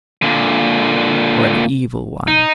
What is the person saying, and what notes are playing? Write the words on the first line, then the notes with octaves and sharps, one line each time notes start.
Or an evil one?
A#2 D3
D#4